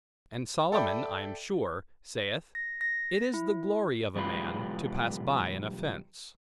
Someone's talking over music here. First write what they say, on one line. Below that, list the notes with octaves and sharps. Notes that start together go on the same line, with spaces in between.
And Solomon, I am sure, saith, It is the glory of a man, to pass by an offence.
A4 D5 E5 G5 B5
A#6
A#6
E4
B1 E2 G3 G#3 F4 B4